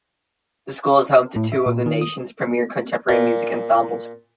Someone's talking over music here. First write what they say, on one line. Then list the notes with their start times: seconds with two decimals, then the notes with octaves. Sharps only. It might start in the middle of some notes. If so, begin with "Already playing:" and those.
The school is home to two of the nation's premier contemporary music ensembles.
1.36 A2
1.52 E5
1.66 A#2
1.86 D#3
2.01 D#6
3.09 A#2